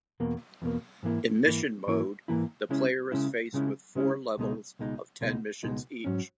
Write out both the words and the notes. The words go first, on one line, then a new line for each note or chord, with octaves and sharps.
In Mission Mode, the player is faced with four levels of ten missions each.
E2 B2 A#3
E2 B2 A#3
G#2 E3 A#3 E4
G#2 E3 A#3 E4
G#2 E3 A#3 E4
G#2 E3 A#3 E4
C#3 G#3 C#4 E4
C#3 G#3 C#4 E4
C#3 G#3 C#4 E4
C#3 G#3 C#4 E4
C#2 B2 G#3 D#4
C#2 B2 G#3 D#4
C#2 B2 G#3 D#4
C#2 B2 G#3 D#4
G#2 F#3 C#4